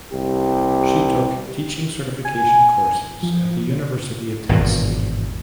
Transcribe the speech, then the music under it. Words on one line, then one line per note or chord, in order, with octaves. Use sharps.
She took teaching certification courses at the University of Tennessee.
C2 G4
G#5
F3
G#1 E2 G2 B2